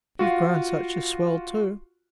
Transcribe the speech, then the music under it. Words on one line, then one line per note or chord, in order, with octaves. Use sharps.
You've grown such a swell, too.
F4 F#4